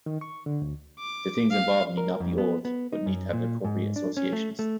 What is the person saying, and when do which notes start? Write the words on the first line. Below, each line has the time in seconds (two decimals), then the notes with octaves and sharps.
The things involved need not be old, but need to have the appropriate associations.
0.06 D#3
0.21 C#6
0.46 D3
0.62 D2
1.00 D6
1.51 F5
1.97 A#4
2.20 F2
2.38 B3
2.65 B3
2.93 D#4
3.06 F#2
3.33 A#2
3.64 G#2
3.96 D4
4.17 C#4
4.33 A3
4.59 A3